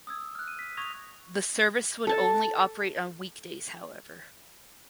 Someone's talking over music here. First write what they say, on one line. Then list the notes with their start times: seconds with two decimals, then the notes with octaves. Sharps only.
The service would only operate on weekdays however.
0.07 D#6 E6 G#6
0.35 F6 F#6
0.48 D#7
0.59 B6
0.77 C#6 D#6 G#6 A#6 F7
2.07 A4 A5